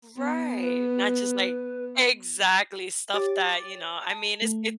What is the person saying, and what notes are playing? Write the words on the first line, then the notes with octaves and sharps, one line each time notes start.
Right. Not just, like Exactly, stuff that, you know I mean, it's it
B3
B4
G4 C#5 D6 A6
A5
A3